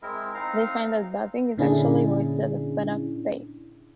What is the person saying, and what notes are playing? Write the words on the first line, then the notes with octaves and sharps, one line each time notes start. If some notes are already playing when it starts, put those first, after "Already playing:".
They find that the buzzing is actually voices at a sped-up pace.
G#3 C4 E4 A#4
C4 D#4 F5 A#5
A#2 D3 C#4 D4 E4 G#4